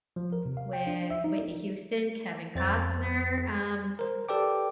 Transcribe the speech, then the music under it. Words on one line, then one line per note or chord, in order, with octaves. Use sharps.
with Whitney Houston, Kevin Costner, um,
F3
A#4
C3
F5
G5
D4
E5
D#4
F2 C5 A6
A#4 C5
G4 A4 B4 D5 G5 D6